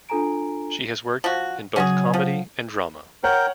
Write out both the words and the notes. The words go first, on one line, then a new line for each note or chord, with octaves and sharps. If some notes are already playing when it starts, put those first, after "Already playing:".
She has worked in both comedy and drama.
D4 F4 A4 G#5 A#5 D7
F3 F#4
C#3 F#3 C#4 F#4 G#4
F3
A#4 C#5 F#5 G5